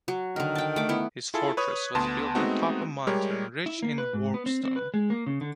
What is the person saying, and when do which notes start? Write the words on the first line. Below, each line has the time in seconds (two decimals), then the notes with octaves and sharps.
His fortress was built atop a mountain rich in warpstone.
0.08 F#3
0.36 D3 D#3 A#4
0.55 G5 A5
0.76 A3 D6
0.89 B3 E4
1.34 E4 F4 G#4 A4
1.57 B4 C#5 D#6 G#6
1.95 D2 B3 A5 C6
2.35 G#3 A3 B3 C4 D#4 F#4
3.07 G3 G#3 G4 A#4 C#5
3.66 E4
3.83 A#3
3.98 B4
4.13 G#2
4.34 B3
4.46 C4
4.64 C4
4.76 B4
4.94 G#3
5.10 A#3
5.26 C#3
5.41 D3